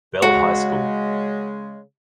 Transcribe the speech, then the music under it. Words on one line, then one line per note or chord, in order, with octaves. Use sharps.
Bell High School.
C#3 G#3 F#4